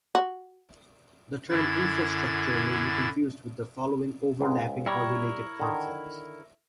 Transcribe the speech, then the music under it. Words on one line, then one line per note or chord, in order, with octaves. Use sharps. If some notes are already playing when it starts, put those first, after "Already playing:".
The term "infrastructure" may be confused with the following overlapping or related concepts.
F#4
F#2 D3 E4 G#6 A6
C#2 G#2 G#3
G3 E4 A#4 C#5
D3 D#3